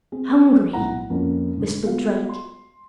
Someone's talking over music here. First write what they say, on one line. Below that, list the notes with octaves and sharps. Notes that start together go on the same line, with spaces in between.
"Hungry!" whispered Drake.
C4 G#4
B1 A2 E4 F#5 A#5
F2 A#3 C#4
G#2 D3
G#3 B3 F4 F#4 F5
C6